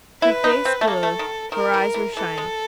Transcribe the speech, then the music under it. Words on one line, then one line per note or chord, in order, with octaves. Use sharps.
Her face glowed, her eyes were shining.
E4 B4
D#4
C4
A3
A#3 A4
A3
D#3
D#3 A#4
E3
E3
E3 A4
G#3